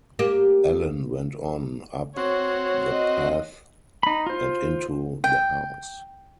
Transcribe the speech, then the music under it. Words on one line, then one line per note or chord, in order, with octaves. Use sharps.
Ellen went on up the path and into the house.
A#3 G4
C4 F#4 C#5
D#5
D#4 B5
F4 C5
G5